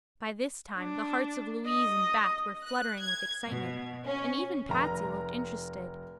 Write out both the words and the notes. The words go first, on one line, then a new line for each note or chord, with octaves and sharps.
By this time the hearts of Louise and Beth were fluttering with excitement, and even Patsy looked interested.
D4
D#5
F#6
G#6
B2
C#4
F1 A#5